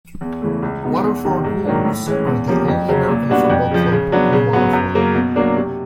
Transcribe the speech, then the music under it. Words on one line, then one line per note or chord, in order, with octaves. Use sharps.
Waterford Wolves are the only American football club in Waterford.
E2
C#3 E3 A3
C#2
B2 G#3 B3 D#4
E2
C3 D#3
G#2
D#3 F#3 A#3 D4
A2
E3 G#3 C#4
E2
C3 F3 A#3 C#4
F2
C#3 F#3
A#2
G3 B3 D4 F#4
F2
C#3 F3
C#3
F#3 B3 D4
C#3
F#3 B3
F#2
C#3 F#3 A#3 C#4
B2
F#3 A#3 D4
C3